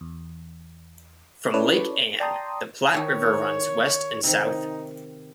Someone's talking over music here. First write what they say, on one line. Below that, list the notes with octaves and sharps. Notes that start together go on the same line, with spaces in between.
From Lake Ann, the Platte River runs west and south.
E2
C#4 E4 A4 B4 C#5 D5
D5 G5 A5 A#5 C6 D#6
D#3 E4 C#5
C3 D#3 D#4